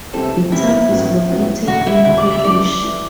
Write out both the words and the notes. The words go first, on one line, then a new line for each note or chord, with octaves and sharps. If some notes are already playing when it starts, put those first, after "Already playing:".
The town is located in Parish.
C3 E3 G3 C4 A4
C3 E3 G3 C4 E4
A1 A2 F#3 B3
A1 A2 F#3 B3
E1 D2 D3 F#4
E4
E1 D2 D3 E4
D5
E5
F#1 F#2 E3 A3 D5
E3 A3